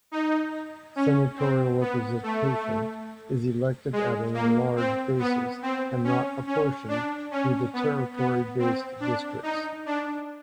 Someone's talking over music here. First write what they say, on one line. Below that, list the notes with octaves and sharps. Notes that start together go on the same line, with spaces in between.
Senatorial representation is elected at an at-large basis and not apportioned through territory-based districts.
D#4
C#4
C4
B3
A3
G#3
A#3
C4
B3
C4
C#4
C#4
D4
C#4
B3
B3
C4
D4
D#4
D4